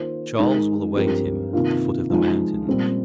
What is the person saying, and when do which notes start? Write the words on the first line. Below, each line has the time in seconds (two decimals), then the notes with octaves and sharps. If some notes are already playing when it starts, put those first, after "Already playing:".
Charles will await him at the foot of the mountains.
Already playing: D#3 A#3 F4 C5
0.38 D#3 G#3 D#4 A#4
0.96 G2 F3 C4 G4 A#4
1.53 C3 D#3 A#3 F4
2.10 F3 G#3 D#4
2.66 A#2 G3 C4